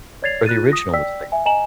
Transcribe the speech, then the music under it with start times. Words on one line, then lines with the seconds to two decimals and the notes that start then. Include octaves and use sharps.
or the original was live?
0.22 C#5 D5 G#6 A6 C7 F7
0.46 F4 F#6 A6 D#7
0.72 D#6 A#6
0.93 D5 G5 E6 B6
1.32 E5 G#5
1.46 D#5 G#5 A#5 E7 F#7